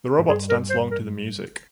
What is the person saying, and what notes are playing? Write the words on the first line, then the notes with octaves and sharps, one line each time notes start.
The robots dance along to the music.
G#2
G2 G#4
A#4
C5
A#4